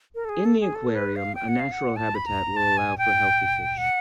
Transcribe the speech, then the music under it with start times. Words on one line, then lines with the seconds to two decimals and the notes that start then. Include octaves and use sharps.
In the aquarium, a natural habitat will allow for healthy fish.
0.15 A#4
0.25 A4
0.29 G#4
0.45 A4
0.60 G#4
0.75 A4
0.95 B4
1.16 F5
1.35 G5
1.48 F#5
1.59 F5
1.72 F#5
1.96 A5
2.15 B5
2.26 A#5
2.56 A5
2.77 G#5
2.98 G5
3.78 F#5